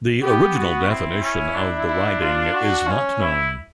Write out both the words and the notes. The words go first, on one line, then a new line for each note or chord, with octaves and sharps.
The original definition of the riding is not known.
B3 G4
F#4
C4 E4
C#4
D4
E4
F4
F#4
C#4
E4